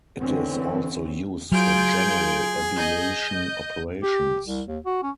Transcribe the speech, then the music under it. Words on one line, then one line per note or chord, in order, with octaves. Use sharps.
It is also used for General Aviation operations.
D3 E3 C4 C#4
F#3 F4 G#4 G6 D7
D#5 G6
G4
C2
D#2
F#4
C#4